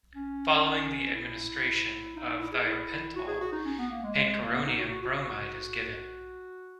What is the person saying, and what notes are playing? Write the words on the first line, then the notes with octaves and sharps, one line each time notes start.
Following the administration of thiopental, pancuronium bromide is given.
C#4
E4
D#4
D#4
E4
G#4
E4
F#4
G#4
F#4
D#4
C#4
B3
A#3
G#3
G#3
G#3
A#3
B3
D#4
F#4
F#4
F#4
F#4